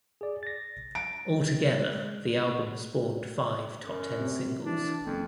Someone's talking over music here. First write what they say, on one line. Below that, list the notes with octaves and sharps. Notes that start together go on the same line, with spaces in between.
Altogether the album spawned five top-ten singles.
G#4 D5
A6 A#6
D7
G#3
F#2
C3
E3 D4
F#1 F2